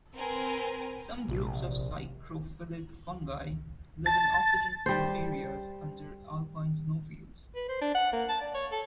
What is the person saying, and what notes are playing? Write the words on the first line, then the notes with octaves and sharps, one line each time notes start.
Some groups of psychrophilic fungi live in oxygen-poor areas under alpine snowfields.
C4 A#4 B4 G#5
A#1 C3
A5 A6
G3 C5
B4
C5
D4
F#5
A#3
A5
D5
C#5
A4